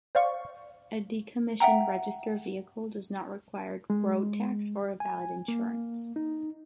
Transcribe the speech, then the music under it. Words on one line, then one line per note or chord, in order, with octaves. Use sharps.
A decommissioned registered vehicle does not require road tax or a valid insurance.
C5 D5 F5 C#6
E5 F#5 G5 A#5
G#3
G#5
A#3
D#4